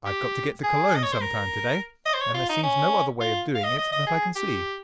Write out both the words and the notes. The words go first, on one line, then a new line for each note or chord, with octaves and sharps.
"I've got to get to Cologne some time to-day, and there seems no other way of doing it that I can see."
G4
G#4
D#5
C#5
C5
A#4
D#5
C5
C#5
F4
D#4
C#4
F4
F5
D#5
D#5
D#5
G#4
G4